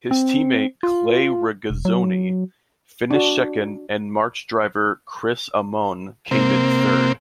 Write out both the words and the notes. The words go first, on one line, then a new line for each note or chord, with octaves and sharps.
His teammate Clay Regazzoni finished second and March driver Chris Amon came in third.
C4
F4
E1
F#3
D4 F#4
C3 A#3 C4